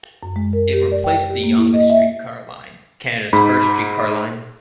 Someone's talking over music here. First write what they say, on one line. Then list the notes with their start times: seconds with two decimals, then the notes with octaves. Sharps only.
It replaced the Yonge streetcar line, Canada's first streetcar line.
0.23 F#2
0.36 G#3
0.53 A#4
0.73 G4
0.92 D5
1.04 G5
1.29 G4
1.44 A#3
1.57 E4
1.74 D#5
1.90 E5
3.33 G#2 B5